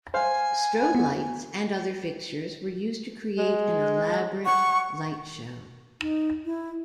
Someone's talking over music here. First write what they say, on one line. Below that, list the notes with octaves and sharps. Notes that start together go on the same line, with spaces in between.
Strobe lights and other fixtures were used to create an elaborate light show.
C5 F5 G#5
B3
G#3
F#5 C#6
D#4
E4